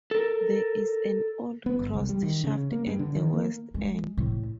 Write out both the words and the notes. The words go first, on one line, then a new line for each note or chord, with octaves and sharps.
There is an old cross shaft at the west end.
A4 A#4
B3
G1
C2
G3
D#3
C#3
A#3
G2
D3
D#3
A#3
G#3
A2